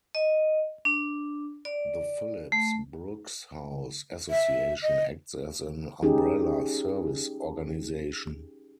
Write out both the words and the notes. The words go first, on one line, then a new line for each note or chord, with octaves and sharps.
The Phillips Brooks House Association acts as an umbrella service organization.
D#5
D4
D5
A3
E5
D#5
C#4 D#4 G4 G#4